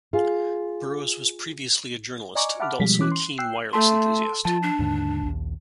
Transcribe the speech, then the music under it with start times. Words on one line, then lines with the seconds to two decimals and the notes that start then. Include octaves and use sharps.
Burrows was previously a journalist and also a keen wireless enthusiast.
0.13 F4 G#4
2.35 D5 D#5 G#5 A#5 C#6 D6
2.60 E5 F#5 A5 B5 D6 F6
2.79 B2 F3 G3 G#3 B6
2.99 E3 C#4 D6 F#6
3.12 C6
3.38 G5 E6 F#6 C7
3.73 A3 A4 A5 C6
4.45 F3 F4 A5
4.62 D4
4.79 D#2 G#2 D3
5.22 A#1 D#2